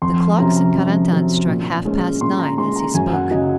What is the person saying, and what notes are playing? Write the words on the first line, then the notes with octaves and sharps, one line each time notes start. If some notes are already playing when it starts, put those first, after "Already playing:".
The clocks in Carentan struck half-past nine as he spoke.
F2 C6
C6
C3 F#3 C#4 A#5
A#5
F2
C3 F#3 C#4
A#2
G#3 C#4
A#2 C6
A#5
G#3 C#4 C6
A#5
F#2 G#5
F#5
C#3 F#3 D#5